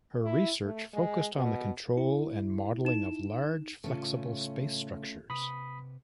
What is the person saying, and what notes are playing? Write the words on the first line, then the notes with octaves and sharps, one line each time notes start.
Her research focused on the control and modeling of large, flexible space structures.
E4
A3
G#3
B2
E4
D#4 E7
A2 C#3 A3 C#4 F4 A4
C3 B4 B5 D#6 B6